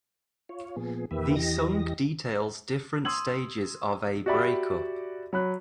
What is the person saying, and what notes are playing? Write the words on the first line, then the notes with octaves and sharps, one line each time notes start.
The song details different stages of a breakup.
F4 C#5
A#2 F3 B3 G#4
E2 D#3 A#3 G4 B4 E5
E2 E3 G4 D#5 A#6
C6 D#6 E6 G#6 F#7
F#4 G4 D5 E5 B5
F#3 B5 F#6